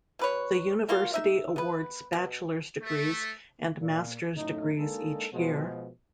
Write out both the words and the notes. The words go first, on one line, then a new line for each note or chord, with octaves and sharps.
The university awards bachelor's degrees and master's degrees each year.
B2 B4 C#5
G3 A#3 F4 F#4
D#4 E5
B3 B4
B2
A3
A#2
F#2 A2 A3 D#4
G#3 A#3 D4 D#4 G#4 A4
B2 F3 G#3